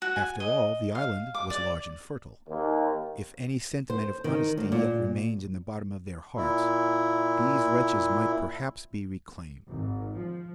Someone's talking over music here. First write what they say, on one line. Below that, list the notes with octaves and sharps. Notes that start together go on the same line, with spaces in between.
After all, the island was large and fertile. If any sentiment of honesty yet remained in the bottom of their hearts, these wretches might perhaps be reclaimed.
F#4
G#5
D#5
F5
D6
D5
D#2
C5
D#3
D2
A#2
A#2 E4
G#1
F3